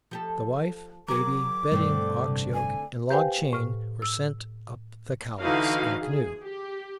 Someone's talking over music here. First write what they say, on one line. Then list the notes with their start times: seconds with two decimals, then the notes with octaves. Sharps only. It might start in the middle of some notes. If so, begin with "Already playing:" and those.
The wife, baby, bedding, ox yoke, and log chain were sent up the Cowlitz in a canoe.
0.11 F3 G4 A4
1.08 F#3 G#4 A#4 D6
1.71 G2 B2 D3 G3 A3 C4
2.28 A1 G2 C3
2.54 G#5
3.10 G4 B4 C5 F5 G5 G#5
3.53 A2 F6
4.02 E6
5.39 D3 E3 D#4 E4 F#4 F5
6.02 G#4
6.42 G4